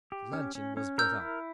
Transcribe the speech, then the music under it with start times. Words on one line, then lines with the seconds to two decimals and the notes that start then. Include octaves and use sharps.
Luncheon was brought up.
0.12 G4
0.33 C#4
0.55 C#4
0.77 C#4
0.98 A#4 E6 G6
1.20 E4